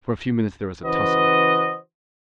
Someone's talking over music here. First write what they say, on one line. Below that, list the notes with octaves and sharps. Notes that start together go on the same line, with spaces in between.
For a few minutes there was a tussle.
C#3 E3 F#4 B4 C5 D#5